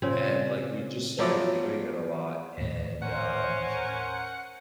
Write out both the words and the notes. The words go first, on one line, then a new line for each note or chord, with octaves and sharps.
and, like, we just started doing it a lot and, um,
A#2 C#3 C4
F3 F#3 B3 D5
D#2 A2
C#4 A#4 C5 F#5